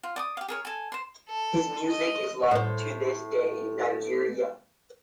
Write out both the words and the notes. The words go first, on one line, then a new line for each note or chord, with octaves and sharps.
His music is loved to this day in Nigeria.
F4
D5 D6 D#6
G4 F5
G#4 A#4 C#5
A4 G#5
C5 C6
A4
D#5
A2 C5